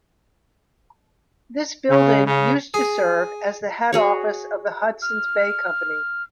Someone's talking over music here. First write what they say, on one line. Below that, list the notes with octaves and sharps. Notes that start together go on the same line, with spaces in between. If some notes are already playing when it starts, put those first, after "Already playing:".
This building used to serve as the head office of the Hudson's Bay Company.
C#3
C#3
G#4
F#4 G#4 C#5
F6